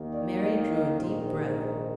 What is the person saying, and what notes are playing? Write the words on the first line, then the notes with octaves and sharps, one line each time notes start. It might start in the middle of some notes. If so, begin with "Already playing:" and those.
Mary drew a deep breath.
Already playing: D#2 D#3 A#3
D5
D#5
D#5
A#1 G#2 D#3 C5
G4
A#4